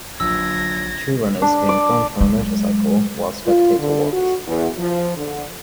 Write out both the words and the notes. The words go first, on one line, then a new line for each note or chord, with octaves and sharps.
Two Runners, being filmed from a motorcycle, while spectator watch.
A#1 D3 F3 F#3 E6 G#6 A#6
D4
D5
F#3 G#3
F4
D3
F#4
E2
F3
D3